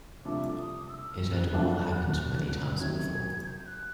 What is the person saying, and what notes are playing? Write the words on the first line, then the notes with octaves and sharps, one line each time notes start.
It had all happened many times before.
C2 C3 F3 A3 D4 D6
D#6
E6
F6
F#6
F2 D3 F#3 A3 D4
C3 D#3 F#3 G#6
G6
F#6